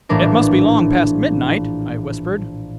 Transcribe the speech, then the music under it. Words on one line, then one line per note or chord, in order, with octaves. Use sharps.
"It must be long past midnight," I whispered.
A#1 A2 E3 D4 A#4